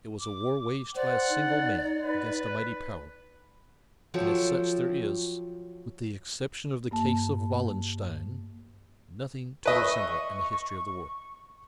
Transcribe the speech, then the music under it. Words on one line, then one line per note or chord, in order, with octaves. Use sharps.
It was a war waged by a single man against a mighty power, and as such there is, with the exception of the case of Wallenstein, nothing to resemble it in the history of the world.
D6
C5 D5 F#5
D#4
B4
F3 F#3 A4 G5
G2 A#3 A5
B4 D#5 E5 C#6